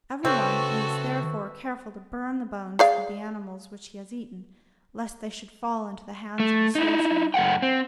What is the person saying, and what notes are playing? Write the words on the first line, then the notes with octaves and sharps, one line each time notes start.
Every one is therefore careful to burn the bones of the animals which he has eaten, lest they should fall into the hands of a sorcerer.
C#3 C4 F#4 A4 B4 C#5 E5 A5
G#4 D5 F5
A3
D#4 E4
F#2 A3 F#5 G5
C4